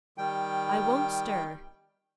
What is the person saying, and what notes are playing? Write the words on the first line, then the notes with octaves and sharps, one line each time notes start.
"I won't stir."
D#3 G3 G5